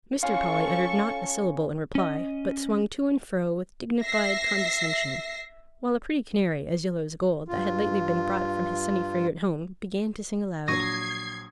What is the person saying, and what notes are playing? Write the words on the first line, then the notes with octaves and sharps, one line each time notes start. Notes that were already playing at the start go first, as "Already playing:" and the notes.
Mr. Polly uttered not a syllable in reply, but swung to and fro with dignified condescension; while a pretty canary, as yellow as gold, that had lately been brought from his sunny fragrant home, began to sing aloud.
C#4 F4 A4 F5 C#6
C#4 D#5
E5 A#6 C7
G2 F4
A#1 F#3 C#6 D#6 G#6 A#6 C7